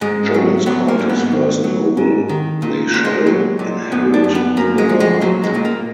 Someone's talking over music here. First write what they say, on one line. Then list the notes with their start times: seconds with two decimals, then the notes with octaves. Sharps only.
Jones called his first novel "They Shall Inherit the Laughter".
0.01 G#2 G#3
0.34 F#3
0.66 F#3 B3
0.88 A#3
0.99 G#2
1.09 B3
1.32 D#3
1.64 F#3
1.97 G#2
2.29 D#3
2.62 A#2
2.94 A#2
3.05 G#3
3.27 F#3
3.59 A#2
3.92 F#2 B3
4.14 D4
4.24 F#2
4.35 B3
4.57 F#2 A#3
4.78 G#3
4.89 F3
5.00 G#3
5.21 A#2 F#3
5.44 G#3
5.55 A#2
5.65 A#3